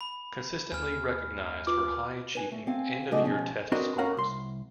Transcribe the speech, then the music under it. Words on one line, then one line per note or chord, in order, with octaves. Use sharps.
Consistently recognized for high achieving end of year test scores.
B5
D#2 G#5 F6
F4 B4 D6
B4 G#5
A3
C4 F5 G#5
C#3 F#3 A3 D4 D#5
B2 F3 C#4
C4 D4 F#4 A#4 B4 D#5
C#4 A#4 F5 F#5
C2 C6